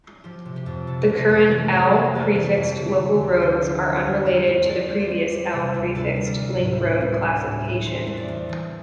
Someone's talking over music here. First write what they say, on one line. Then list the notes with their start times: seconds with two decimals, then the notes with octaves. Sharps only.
The current "L"-prefixed local roads are unrelated to the previous "L"-prefixed link road classification.
0.24 F3 G4
0.45 C3
0.56 G4
0.66 F2
0.87 C3 A4
1.09 C3
1.30 F2
1.51 E3 A#4
1.72 F2
1.82 C5
1.93 E3
2.14 E3 D5
2.35 E3
2.57 F2
2.78 D3
2.99 D3
3.20 D2
3.41 D3 C5
3.63 F3
3.84 F3
4.05 E2
4.26 E2
4.47 E2
4.68 E2 D5
4.90 G3
5.00 C5
5.11 G3
5.31 G3
5.53 C3
5.74 D2
5.95 C3 A4
6.16 G3
6.27 A#4
6.38 D2
6.59 A2
6.80 A2
7.01 A2
7.22 G3
7.44 A2
7.65 A2
7.85 E3 C5
8.07 E2
8.17 D5
8.28 E2
8.49 E3